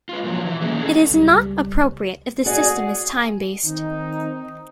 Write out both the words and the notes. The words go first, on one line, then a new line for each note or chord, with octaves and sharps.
It is not appropriate if the system is time-based.
F4 B4
A#2 F3 F#3
E3
B2 D#3 A3 A#3 C#4 G#4
B3 C#4 G#4 A4
C#2 G3
F#4 G#4 D5 F#5
D#3 C4 D#4